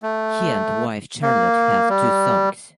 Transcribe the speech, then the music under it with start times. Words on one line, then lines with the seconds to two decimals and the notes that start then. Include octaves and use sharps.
He and wife Charlotte have two sons.
0.03 A3
1.22 A#3
1.89 G3